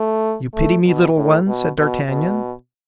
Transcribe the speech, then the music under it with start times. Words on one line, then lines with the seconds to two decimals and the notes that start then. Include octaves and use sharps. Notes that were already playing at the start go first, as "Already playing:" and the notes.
"You pity me, little one?" said d'Artagnan.
Already playing: A3
0.54 A3
0.85 B2
1.16 A2
1.47 B2
1.78 B2
2.09 B2